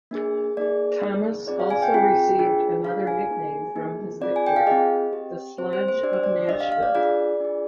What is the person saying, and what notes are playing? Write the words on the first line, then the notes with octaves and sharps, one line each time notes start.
Thomas also received another nickname from his victory: "The Sledge of Nashville".
A#3 D4 G#4
A#3 D#4 G#4 D5
A#3 D#4 G#4
C4 F4 G#4 D5
F5
G#5
G5
C4 F4 G#4 G5
D4 F4 G#4
D4 F4 G#4 F5
G#5
A#3 D#4 G#4
A#3 D#4 G#4
C4 F4 G#4 D5
G#5
G5
F5
C4 F4 G#4 D#5
C4 G4
C4 G4 C5
C5
C5
D4 G4 D5
C5
D5
D4 G4 D#5
F5
F5
D5
D4 F4 G#4 D5
D4 F4 G#4